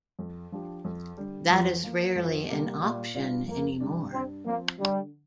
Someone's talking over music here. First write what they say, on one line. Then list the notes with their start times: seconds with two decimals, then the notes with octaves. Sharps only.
That is rarely an option anymore.
0.19 F2
0.52 F3 D4 G4
0.85 F2
1.17 D3 G3
1.51 F2 F3
1.83 F3 A#3
2.16 F2 F3
2.49 C3 G3 A#3 G4
2.82 A#2 G3
3.15 G3 D4 F4 D5
3.47 F2 A#3
3.80 C3 G3 D4
4.13 G2 C4
4.46 F3 A#3 C4
4.79 D3 G3